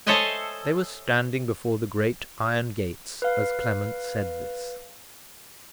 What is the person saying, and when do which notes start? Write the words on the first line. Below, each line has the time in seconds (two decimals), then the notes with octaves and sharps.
They were standing before the great iron gates as Clement said this.
0.07 A4 C5 C#5 D#5 E5 G#5
3.22 B4 F5